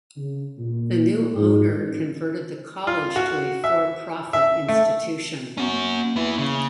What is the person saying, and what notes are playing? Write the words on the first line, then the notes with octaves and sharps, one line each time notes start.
The new owner converted the college to a for-profit institution.
C#3
A#2
G#2
A1
F4
F#4
E5
E5
A3
B3 C#4 F#4
A#3
B3 E4
C#3